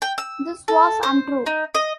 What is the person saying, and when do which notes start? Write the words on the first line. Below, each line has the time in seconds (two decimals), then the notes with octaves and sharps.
This was untrue.
0.02 G5
0.18 E6
0.68 A4
1.03 C5
1.46 D#4
1.75 D#5